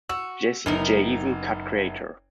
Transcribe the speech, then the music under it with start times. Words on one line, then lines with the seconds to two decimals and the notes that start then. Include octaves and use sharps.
Jazzy Jay-even Cut Creator.
0.09 F#4 E6
0.66 F#1 B3 D#4 A#4